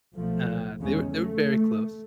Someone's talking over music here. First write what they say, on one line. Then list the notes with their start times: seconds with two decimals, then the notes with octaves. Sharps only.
uh, they were they were very close,
0.13 B1 F3 A3
0.80 E2 C#3 G#3 C#4
1.10 A3